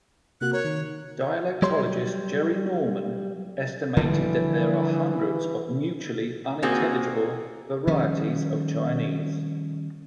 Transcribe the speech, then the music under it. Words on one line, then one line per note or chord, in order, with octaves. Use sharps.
Dialectologist Jerry Norman estimated that there are hundreds of mutually unintelligible varieties of Chinese.
C3 A#3 F#4 F#6
A#4 C#5
D#3
F#3 G3 C#5 C6
D3 E3 F3 G3
A#2 A#3 C4 F#4 G#4
D#3 F3 G3 C#4